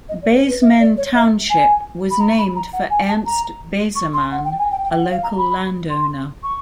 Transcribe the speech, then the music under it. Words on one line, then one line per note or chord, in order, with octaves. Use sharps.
Beseman Township was named for Ernst Besemann, a local landowner.
D#5
D5
C#5
B4
E5
D5
C#5
E5
G#5
B5
A#5
B5
A#5
F#5
G#5
A5
A#5
C#6
C6
F#5
G5
G#5
G5
G5
F#5
F5
A#5
B5
C6
C#6